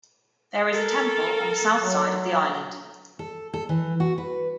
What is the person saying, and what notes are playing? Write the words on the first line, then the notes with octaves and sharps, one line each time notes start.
There is a temple on the south side of the island.
A4 A#4
F#3
A4
A4
E3
F#4
B4